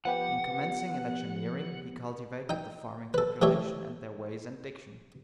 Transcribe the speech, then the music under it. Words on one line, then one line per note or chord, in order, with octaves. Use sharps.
In commencing electioneering, he cultivated the farming population and their ways and diction.
F3 B3 G4 F#5
D#4 G5
A4 B4
E3 A3 G4 C#5 E5 C#6